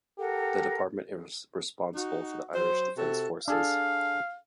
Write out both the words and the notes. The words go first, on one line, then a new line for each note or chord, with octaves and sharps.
The Department is responsible for the Irish Defence Forces.
G4 A4 A#4 F#5
D#4 F#4
F#3 C5
C3 F#4 A4
D4 G#4 A4 F5